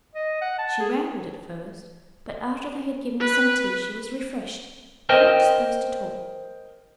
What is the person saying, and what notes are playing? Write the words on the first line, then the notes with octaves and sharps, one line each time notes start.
She rambled at first; but after they had given her some tea she was refreshed, though not disposed to talk.
D#5
F#5
A5
G#4
B4
A#4 C5 D#5 G5